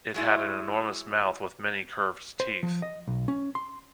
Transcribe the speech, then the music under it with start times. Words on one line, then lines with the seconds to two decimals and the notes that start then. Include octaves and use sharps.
It had an enormous mouth with many curved teeth.
0.14 F#3 G#3 E4
2.40 C5
2.63 F3
2.82 D#5
3.08 B1
3.28 C#4
3.55 C6